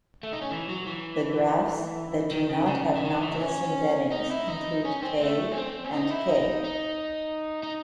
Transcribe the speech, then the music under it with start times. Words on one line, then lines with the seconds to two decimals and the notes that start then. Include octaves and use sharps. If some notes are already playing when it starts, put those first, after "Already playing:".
The graphs that do not have knotless embeddings include "K" and "K".
0.23 A3
0.33 D#4
0.42 C#4
0.51 E3
0.69 F#3
0.87 E3
2.31 D#3
2.49 C#3
2.67 C#3
2.96 E3
3.04 D#3
3.22 E3
3.32 D#4
3.40 C#4
4.11 D#4
4.30 E4
4.48 D#4
4.85 C#4
5.02 C4
5.21 A3
5.52 C#4
5.57 C4
5.85 C#4
5.93 D#4
6.11 E4
6.29 D#4
6.64 D#4
7.63 D#4